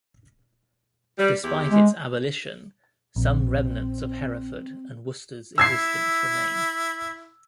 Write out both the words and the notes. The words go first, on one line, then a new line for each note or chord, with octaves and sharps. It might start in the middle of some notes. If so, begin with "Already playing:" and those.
Despite its abolition, some remnants of Hereford and Worcester's existence remain.
G3
E2 E4 G4
G#3
A#1 C4
E4 E6 G#6 C7